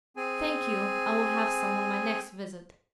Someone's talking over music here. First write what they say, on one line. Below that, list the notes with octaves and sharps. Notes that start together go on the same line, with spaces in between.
"Thank you, I will have some on my next visit."
C4 G#4 G#5